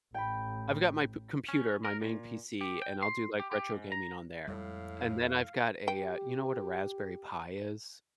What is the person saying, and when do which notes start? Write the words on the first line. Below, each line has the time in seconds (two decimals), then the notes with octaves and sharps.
I've got my computer my main PC, and I'll do, like, retro gaming on there, and then I've got a, uh, you know what a Raspberry Pi is?
0.14 A1 G5 B5
1.49 C#4
1.85 A#4
2.01 A#2
2.61 G4
2.82 G5
3.02 C6
3.39 G4
3.52 G4
3.73 G#2
3.92 A#5
4.48 F2 A2 G3 G#3 F5
5.88 G4 G5